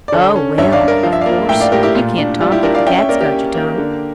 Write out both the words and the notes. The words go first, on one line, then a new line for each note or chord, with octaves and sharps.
"Oh, well, of course, you can't talk, if the cat's got your tongue."
D5
D3 A4 C#5
C#4
G2 C#5 E5
D5 F5
G2
A#4 D5
F3 F5
E5
A#3 D5 F5
A2 E5 G5
D5 F5
A2 G4 A#4
E4 G4
A#2 F4
D4
G3 F4
E4 G4
D4 G4 A#4
D5 F5
C#4 E5 G5
C#5 E5
A#3 A#4 D5
G4 A#4
C#4
A#3
D3